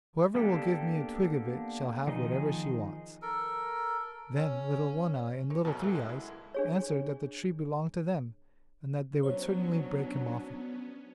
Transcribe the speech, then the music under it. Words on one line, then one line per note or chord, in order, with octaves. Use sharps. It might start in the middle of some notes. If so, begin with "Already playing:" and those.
Whoever will give me a twig of it shall have whatever she wants.' Then Little One-eye and Little Three-eyes answered that the tree belonged to them, and that they would certainly break him off a twig.
A#3 B3 D4 G4 A4
D#3 F3 D#4 G#4 D#5
A4 A#4
C#4
A#4 C#5
F#2 B2 A4 G#5 A5
C#2 E3 A#3 A4
G#3
F#3 E4
D4 G#4 C#5
F#3 B3 C#4 D4 C5 C#5